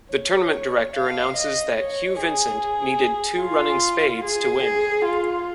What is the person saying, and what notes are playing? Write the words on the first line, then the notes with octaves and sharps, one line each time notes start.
The tournament director announces that Hugh Vincent needed two running spades to win.
C#5
F5
D#5
C#5
G#4
F4
G#4
G#4
F4